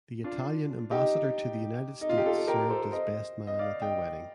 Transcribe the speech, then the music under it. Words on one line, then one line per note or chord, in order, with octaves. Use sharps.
The Italian ambassador to the United States served as best man at their wedding.
D4 F4
D#4 G4
D#4
F4
G4
F4 A4
G4 A#4
A4 C5
C5 D#5
D#5
D5 F5
D#5 G5